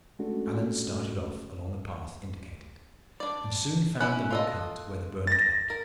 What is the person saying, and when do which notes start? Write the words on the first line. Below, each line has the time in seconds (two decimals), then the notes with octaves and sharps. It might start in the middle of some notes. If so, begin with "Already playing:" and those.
Alleyne started off along the path indicated, and soon found the log-hut where the burner dwelt.
0.19 G#3 A3 C#4 D4 F#4 A4
3.20 D4 D5
4.01 C#4 E4 F#6
4.31 F4 A4 D#5
5.27 A6 A#6
5.70 A#4